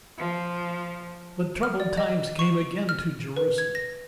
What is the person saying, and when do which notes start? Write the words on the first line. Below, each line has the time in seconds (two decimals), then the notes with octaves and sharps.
But troubled times came again to Jerusalem.
0.18 F3
1.63 F6
1.80 D5
1.97 D#5
2.39 C#6
2.89 F6
3.36 B4
3.58 G#6
3.75 A#6